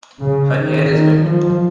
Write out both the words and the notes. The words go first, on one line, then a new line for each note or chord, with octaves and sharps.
Her hair is wet.
C#3
D#3
D#3
F3